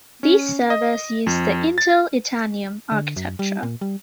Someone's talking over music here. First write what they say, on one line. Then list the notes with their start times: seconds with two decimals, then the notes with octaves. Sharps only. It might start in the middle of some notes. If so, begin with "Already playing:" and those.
These servers use the Intel Itanium architecture.
0.23 C#4
0.70 D#5
1.27 F2
1.78 A6
2.92 D3
3.16 F#2
3.39 G3
3.63 A#2
3.81 G3